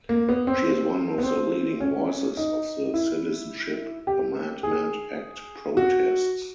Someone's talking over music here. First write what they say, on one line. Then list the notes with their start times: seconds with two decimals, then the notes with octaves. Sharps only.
She is one of the leading voices of the Citizenship Amendment Act Protests.
0.09 A#3
0.29 B3
0.47 C4
1.18 B3
1.23 C4
1.80 C#4
2.37 D#4
2.94 E4
4.07 G4
4.63 G#4
5.77 F#4